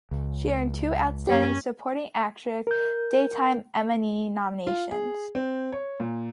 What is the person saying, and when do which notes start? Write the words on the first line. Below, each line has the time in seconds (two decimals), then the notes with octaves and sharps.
She earned two Outstanding Supporting Actress Daytime Emmy nominations.
0.11 C#2
1.27 F#2 A#3 C#4 G4
2.67 A#4 G6
4.67 F4
4.91 G#4
5.35 C4
5.72 C#5
6.00 A#2